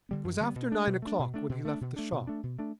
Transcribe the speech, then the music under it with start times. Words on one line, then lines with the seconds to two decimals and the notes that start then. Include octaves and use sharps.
It was after nine o'clock when he left the shop.
0.09 D3 G3 B3
0.24 F#2
0.40 D3 G3 B3
0.56 B2
0.72 A3 D4
0.87 B2
1.02 A3 D4
1.19 B2
1.34 A3 D4
1.49 B2
1.65 A3 D4
1.81 B2
1.96 A3 D4
2.12 B2
2.27 A3 D4
2.43 B2
2.59 A3 D4